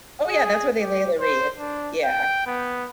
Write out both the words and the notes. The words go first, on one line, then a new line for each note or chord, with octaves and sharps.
oh, yeah, that's where they lay the wreath. Yeah.
G#4
G4
C5
D4
G5
B3